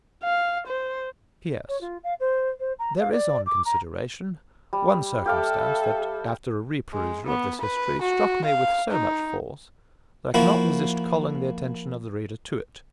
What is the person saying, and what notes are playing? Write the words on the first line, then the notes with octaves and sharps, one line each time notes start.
P.S.--There is on consideration one circumstance that, after a reperusal of this history, struck me with so much force that I cannot resist calling the attention of the reader to it.
F5
C5
C#5
F4
F5
C5
C5
A#5
F5
D5
D6
A#5
G3
G4 A4 E5 F5 D6
G#3
B3
B4
F#4
F5
D#4
F3 A#3 E4 F#4